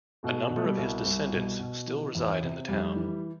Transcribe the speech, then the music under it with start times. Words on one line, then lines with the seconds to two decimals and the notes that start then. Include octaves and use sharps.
A number of his descendants still reside in the town.
0.23 B2 A3
0.50 B2
0.56 A3
0.65 G3
0.77 C2
1.05 C2 G3
1.33 B2
1.59 B2
1.87 E3
2.15 E2
2.42 C3
2.68 F1 G3
2.96 E3